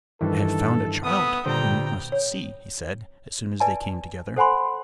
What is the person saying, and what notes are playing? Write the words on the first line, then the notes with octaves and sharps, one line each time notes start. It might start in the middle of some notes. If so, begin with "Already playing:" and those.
"I have found a child whom you must see," he said, as soon as they came together.
G2 D#3 E3 A4
B3 E5 D#6
A#2 D3 G3 C5 G5 A#5
C#5
B4 D5 D#5 G#5 A5
A4 C5 F#5 G#5 B5 C6